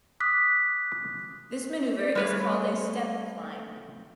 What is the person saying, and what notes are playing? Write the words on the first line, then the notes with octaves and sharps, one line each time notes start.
This maneuver is called a step climb.
D6 D#6 F#6 B6
G3 A3 B4 C#5